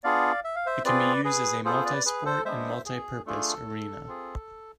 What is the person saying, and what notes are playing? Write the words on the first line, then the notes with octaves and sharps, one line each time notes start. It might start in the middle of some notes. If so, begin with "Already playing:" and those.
It can be used as a multi-sport and multi-purpose arena.
B3 D4 F4 G#4 D5 F5
E5
F5
C5 E5
C4 F4 G#4 B4 D5
G#4 B4
B3 F4 G#4 A4 C5
B4 D5
G#4 B4
A4 C5
G#3 B3 D4 C5 E5
G#4
A3 D4 F4 G#4 A4
C4 F4 G#4